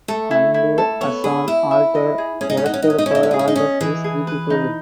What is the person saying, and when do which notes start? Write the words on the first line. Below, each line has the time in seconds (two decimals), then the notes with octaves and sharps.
And as an altar erected for all that is beautiful.
0.08 A3 A4
0.31 E4
0.54 E4
0.78 A4
1.01 B3 C#5
1.24 G#4 B5
1.47 E4 E5
1.71 E5
1.95 D#5
2.18 G#4
2.41 C#4 G#4
2.50 D#4
2.57 C#4
2.64 D#4 F#5
2.74 C#4
2.82 D#4
2.87 C#4 D#5
2.98 D#4
3.06 C#4
3.11 D#4 E4
3.23 C#4
3.31 D#4 G#4
3.39 C#4
3.48 D#4
3.56 C#4 D#5
3.81 E3 G#4
4.04 G#4
4.27 B4
4.50 D#4